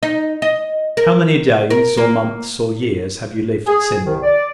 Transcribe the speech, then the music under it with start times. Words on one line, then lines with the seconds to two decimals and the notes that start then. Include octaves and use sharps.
How many days, or months, or years, have you lived since?
0.03 D#4
0.42 D#5
0.97 A#4
1.70 A#4
1.97 A#3
3.67 G#4
4.05 C2 D#3
4.23 D5